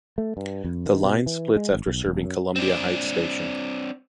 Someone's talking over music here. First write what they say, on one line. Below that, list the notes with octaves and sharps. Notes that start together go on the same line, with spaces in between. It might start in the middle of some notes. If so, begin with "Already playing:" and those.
The line splits after serving Columbia Heights station.
A3
G2
F2
D#3
B2
E3
G#3
G#1
B1
E1
F#2
C4 D4